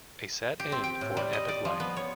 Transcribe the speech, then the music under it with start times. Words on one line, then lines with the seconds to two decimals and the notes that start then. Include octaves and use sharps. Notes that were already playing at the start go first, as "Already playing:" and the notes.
A sad end for an epic life.
0.60 G4
0.72 C4
0.84 G5
1.01 A2
1.17 G3
1.33 D#5
1.49 D5
1.65 F3
1.80 B3
1.97 C#5